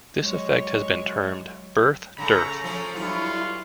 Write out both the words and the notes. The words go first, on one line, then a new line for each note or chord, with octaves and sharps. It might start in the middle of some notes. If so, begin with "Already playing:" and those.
This effect has been termed birth dearth.
F#3 G#3 C#5
C#3 A3 A#5
F3 A3 C#4
G2 F#3 E4 F4